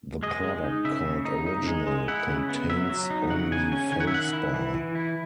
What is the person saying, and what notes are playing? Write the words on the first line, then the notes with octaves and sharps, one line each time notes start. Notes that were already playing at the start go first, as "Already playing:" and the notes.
The product called "original" contains only feldspar.
G#3 D#5
G#3
D#4
C#3 E5
C#3
D#4
D#4
G#3
G#3
E4 F#5
C#3
B3
F#3 E5
F#3
D#4
C#3 F#5
C#3 G#5
C#4 G#5
D#3 G#5
F#5
E5
D#3 F#5
E4
E3
E3
E4